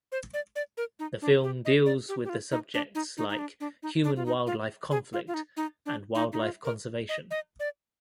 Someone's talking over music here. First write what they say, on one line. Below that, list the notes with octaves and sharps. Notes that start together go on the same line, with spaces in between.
The film deals with the subjects like human–wildlife conflict and wildlife conservation.
C5
D5
D5
A#4
D#4
D4
G4
D#5
D5
G4
G4
F4
D#4
D4
D#4
D#4
D#4
D4
D4
D#4
D4
F4
D#4
F4
G#4
F4
F4
D#4
D#4
D4
D#4
D#4
F4
A#4
D#5
D#5
D5